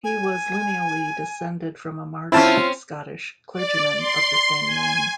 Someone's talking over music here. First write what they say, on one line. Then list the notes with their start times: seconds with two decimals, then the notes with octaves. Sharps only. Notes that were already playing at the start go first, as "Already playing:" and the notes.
He was lineally descended from a martyred Scottish clergyman of the same name.
0.04 G#5
2.32 C4 C#4 E4 F4 A5
3.53 D5
3.97 C6
4.66 G#5